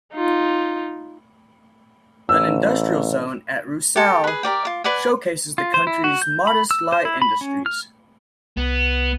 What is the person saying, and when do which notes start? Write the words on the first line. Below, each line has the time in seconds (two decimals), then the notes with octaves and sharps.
An industrial zone at Rusayl showcases the country's modest light industries.
0.14 D#4 F4
2.29 A1 E6
3.96 G4 A4
4.24 G#4 B4
4.43 G4 A#4 D5 G5
4.65 F4 D6
4.84 B4 D5 F#5 G#5
5.58 F4
5.74 C5
5.87 E4
6.04 F#4
6.22 G6
6.47 B5
6.71 E6
6.92 C5
7.05 E4
7.22 B5
7.41 C#4
7.66 F6
8.57 C2 B3